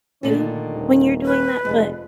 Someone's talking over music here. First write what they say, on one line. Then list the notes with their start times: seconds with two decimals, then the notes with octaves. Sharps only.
too, when you're doing that, but,
0.23 A#2 D3 D#3 A3
0.74 D#1
1.25 B4
1.65 F1 F2 G#2 G#3